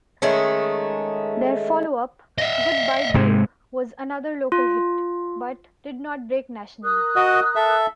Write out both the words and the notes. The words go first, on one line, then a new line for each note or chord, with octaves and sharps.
Their followup, "Goodbye Babe", was another local hit, but did not break nationally.
D#3 G#3 A3 C#4
D#5 E5
G#2 C3 G#3
F4
A#4 D#6 F#6
F#4 D#5
A4 E5